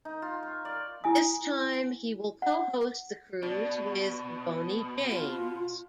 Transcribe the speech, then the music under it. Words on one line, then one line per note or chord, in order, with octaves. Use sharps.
This time, he will co-host the cruise with Boney James.
D#4
F4
C#6
D5
E4 G#5 D#6
F#5
B2 D4
F4